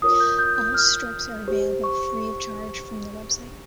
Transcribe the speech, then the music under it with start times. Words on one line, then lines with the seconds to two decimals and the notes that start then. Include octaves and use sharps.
All strips are available free of charge from the website.
0.02 F4 A#4 C#5 D#6
0.20 G6
0.39 G6
0.56 G6
0.74 F6
1.48 G4 C5
1.84 C#6